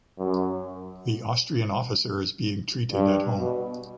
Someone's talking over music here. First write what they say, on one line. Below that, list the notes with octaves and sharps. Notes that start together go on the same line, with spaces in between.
The Austrian officer is being treated at home.
F#2
G2
B2